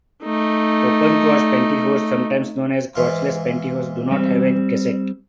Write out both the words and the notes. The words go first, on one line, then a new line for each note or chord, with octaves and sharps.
Open-crotch pantyhose, sometimes known as crotchless pantyhose, do not have a gusset.
A3 D#4
G#2 E3 F4
G3 C4